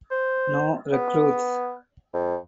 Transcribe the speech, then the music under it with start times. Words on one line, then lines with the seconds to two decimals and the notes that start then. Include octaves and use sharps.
No recruits.
0.11 C5
0.92 B3
2.13 F2